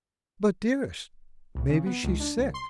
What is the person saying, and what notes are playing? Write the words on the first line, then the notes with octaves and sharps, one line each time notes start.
"But, dearest, maybe she's sick."
C2
C#3
B3
C#2
D4
C2
C6